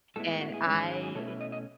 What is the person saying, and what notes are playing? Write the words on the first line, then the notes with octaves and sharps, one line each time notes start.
And I
A2 G#3 B3 E4 A4
G#4
F#4
G#4
G#2 D#3 G#3 C#4
G#4
G#4
G#4
B2 A3 C#4 E4 A4
B4
D#5
D#5